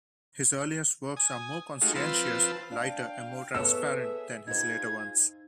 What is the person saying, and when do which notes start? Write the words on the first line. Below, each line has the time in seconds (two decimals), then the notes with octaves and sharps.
His earliest works are more conscientious, lighter and more transparent than his later ones.
1.17 G#5 D#6
1.81 G#3 A3 D#4 F4 F#4
1.96 F3 C4 F4 B4 A5 E6
2.72 D4 F5 G5
3.55 B3 G#4 A4 C#5 E5 E6
4.47 D#4 F4 G#4 C5 G#6